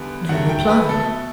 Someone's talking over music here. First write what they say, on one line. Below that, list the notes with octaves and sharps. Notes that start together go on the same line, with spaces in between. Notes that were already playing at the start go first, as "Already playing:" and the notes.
No reply.
Already playing: E2 D3 G3 B3
G2 F#3 A3 F#5
G5
B4
B2 A3 A4